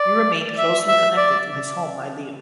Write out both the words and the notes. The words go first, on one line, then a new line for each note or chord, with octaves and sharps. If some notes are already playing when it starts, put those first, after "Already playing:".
He remained closely connected to his home milieu.
Already playing: D5
E5
E5
D5